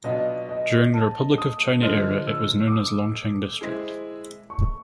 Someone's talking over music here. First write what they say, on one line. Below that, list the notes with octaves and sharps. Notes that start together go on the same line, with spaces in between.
During the Republic of China era it was known as Longcheng District.
B2 F#3 B3 D4 F4 D#5
D#5
A5
D#6
D3 F3 G#3 F6
E6
D6
D#6
G#3 C4 E4 G#4
C#6